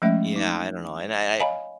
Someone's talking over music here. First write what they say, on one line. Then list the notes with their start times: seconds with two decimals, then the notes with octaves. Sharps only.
Yeah, I don't know, and I I
0.02 F3 G#3 A3 C#4 E5
0.36 D#4
1.40 C#5 D#5 F5 G#5 A#5 B5